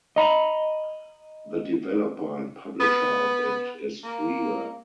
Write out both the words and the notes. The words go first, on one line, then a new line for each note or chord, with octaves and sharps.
The developer and publisher of it is freeware.
D#5 A#5 B5
B3
A#3